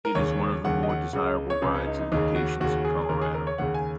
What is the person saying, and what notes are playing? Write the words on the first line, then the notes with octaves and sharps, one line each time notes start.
It is one of the more desirable rides and locations in Colorado.
A#4
D#2 C#3 C#5
D#2 C#3 F#5
D#5
F#5
C#2 C#3 F#5
D#5
C#5
C#2 C#3 G#4
C#4
D#4
D#4
D#2 C#3 D#4
F#4
D#2 C#3 F#4
G#4
G#4
D#2 C#3 A#4
G#4
A#4
C#5
D#2 C#3 F#5
G#5